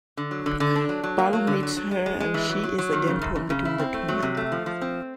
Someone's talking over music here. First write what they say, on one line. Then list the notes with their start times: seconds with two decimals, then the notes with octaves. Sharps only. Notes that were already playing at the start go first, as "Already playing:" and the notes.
Barlow meets her and she is again torn between the two men.
0.17 D3
0.31 F#3
0.46 D3
0.60 D3
0.76 D4
0.89 F#3
1.04 F#3
1.18 A#3
1.33 F#3
1.47 D3
1.63 F#3
1.77 F#3
1.91 G#3
2.06 G#3
2.20 G#3
2.34 E3
2.50 F#3
2.63 F#3
2.78 F#3
2.93 D#3
3.07 C#3
3.22 F#2
3.35 F#2
3.50 C#3
3.65 E4
3.79 C4
3.94 A3
4.08 F#3
4.22 C3
4.37 A3
4.52 F3
4.66 F3
4.81 C4